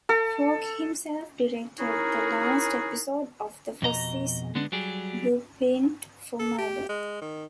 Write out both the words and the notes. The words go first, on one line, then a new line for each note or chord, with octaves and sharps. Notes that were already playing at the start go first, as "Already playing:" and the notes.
Falk himself directed the last episode of the first season, "Blueprint for Murder".
A4
C#4 D#4 E4 F#4 G#4 A#4
F2 B2 D#5 A#5
D3 G#3 B3 D4
F#3 G3 G4 G#4
A4
G4
G#3
D#3